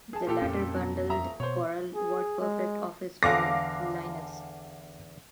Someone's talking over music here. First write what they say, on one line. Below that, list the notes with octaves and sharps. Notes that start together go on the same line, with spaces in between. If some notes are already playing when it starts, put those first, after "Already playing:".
The latter bundled Corel WordPerfect Office for Linux.
G#4 A5
A#2 G4 A4
F2 C#4
B2 F#3
D#1 E5 A#5
B2 C5 C#5
G#4
G#3
E2 D3 F5 D6 A#6